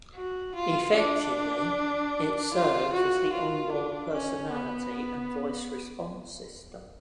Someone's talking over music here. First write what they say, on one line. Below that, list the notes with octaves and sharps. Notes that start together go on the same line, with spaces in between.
Effectively, it serves as the on-board personality and voice response system.
F#4
F4
D4
F4
F#4
F4
D4
C#4
B3